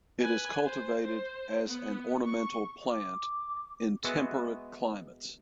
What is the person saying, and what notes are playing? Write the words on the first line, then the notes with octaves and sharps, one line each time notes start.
It is cultivated as an ornamental plant in temperate climates.
B4 G#5
C5
C5
B3
C#6
D6
G#3 B3 F#4 B4 E5